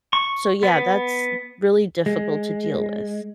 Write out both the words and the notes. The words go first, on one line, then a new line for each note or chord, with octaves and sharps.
so yeah, that's really difficult to deal with.
C#6
B3
G#3